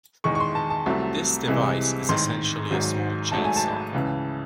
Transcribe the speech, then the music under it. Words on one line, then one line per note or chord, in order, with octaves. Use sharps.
This device is essentially a small chainsaw.
E2 D#3 G#3 C#6
C#6
C6
A5
A5
C2 C3 F#3 A3
C2 C3 E3 G#3
A1 G#2 D#3 C6
G#1 G#2 D#3 F#3
G#1 G#2 F#3 A3 A5
G#5
A5
C#2 C#3 E3